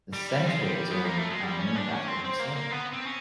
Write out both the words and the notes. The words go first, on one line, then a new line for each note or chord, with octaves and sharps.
The Center is owned and named after himself.
G3
G3
G3
G#3
G3
B3
A#3
A3
G#3
G3
C#4
D4
C#4
C4
C4
A#3
A#3
B3
C4
C#4